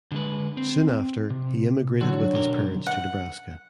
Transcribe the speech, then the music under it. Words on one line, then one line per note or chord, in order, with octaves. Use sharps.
Soon after he immigrated with his parents to Nebraska.
D3 G#3 B4
C4
C3
D3 F#3 F#4
B2 G3 A#4
F#5